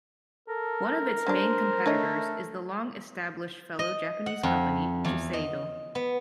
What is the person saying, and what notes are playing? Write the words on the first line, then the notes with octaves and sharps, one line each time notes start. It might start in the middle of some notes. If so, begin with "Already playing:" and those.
One of it's main competitors is the long established fellow Japanese company Shiseido.
A4 A#4
D3 C#4 D4 C5
A3 D4 C#5 D#5
D#5
F#5
F2
E2
D#5
B3